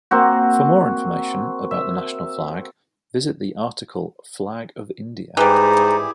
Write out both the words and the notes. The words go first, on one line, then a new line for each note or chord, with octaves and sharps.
For more information about the national flag, visit the article Flag of India.
A#3 C4 F#4
E5
G#2 E3 G3 E4 G4 G#4 A#5